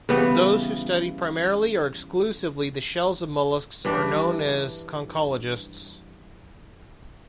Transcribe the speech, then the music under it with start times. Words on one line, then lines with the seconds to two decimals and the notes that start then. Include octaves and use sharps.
Those who study primarily or exclusively the shells of mollusks are known as conchologists.
0.09 C#3 E3 G3 B3
3.85 G2 E3 G3 D4